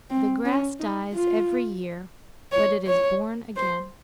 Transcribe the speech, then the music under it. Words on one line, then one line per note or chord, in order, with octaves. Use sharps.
The grass dies every year, but it is born again.
C4
C#4
D#4
F4
C#5
C#5
C5